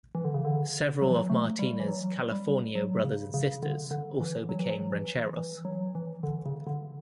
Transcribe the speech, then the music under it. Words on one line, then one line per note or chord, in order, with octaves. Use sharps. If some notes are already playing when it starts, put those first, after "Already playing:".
Several of Martina's Californio brothers and sisters also became "rancheros".
E3
D3
C#3
D3
F#3
E3
F#3
A3
G3
E3
F#3
G3
F#3
C#3
C#3
D3
D3
E3
F#3
E3
F#3
E3
E3
F#3
E3
D3
C#3
D3